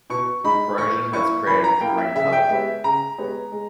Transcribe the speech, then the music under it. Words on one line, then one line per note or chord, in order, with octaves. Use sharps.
The corrosion has created the green color.
B2 C#6
G#3 D#4 B5
E3 C#6
A#3 E4 C#6
E3 B5
A#5
A#3 E4 G5
E5
C#3 E5
G5
G#3 B3 G4 C#5 E5
C#3 A#5
G#3 B3 G4 C#5
G#3